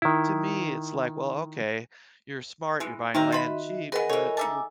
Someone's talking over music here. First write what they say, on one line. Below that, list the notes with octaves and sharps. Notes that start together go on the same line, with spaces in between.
To me, it's like, "Well, okay. You're smart, you're buying land cheap, but you're
D#3 E4
E3 G#3
C3 D#3 C4 D#4 F#4 A#4 D#5 E5
F4 C5 B5
B3 G#4 A#4 B4 D#5 F#5 G#5
E3 A4 C#5
D#4 E5 G#5 A5 D6 E6